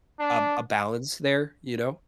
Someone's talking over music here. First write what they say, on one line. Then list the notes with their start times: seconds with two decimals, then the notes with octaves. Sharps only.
a a balance there, you know.
0.19 D4